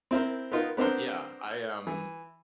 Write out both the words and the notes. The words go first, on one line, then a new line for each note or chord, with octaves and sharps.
But, yeah, I, um,
C4 E4 A#4 C5
B3 D#4 F4 A#4
B3 C4 D4 A#4 C5
E3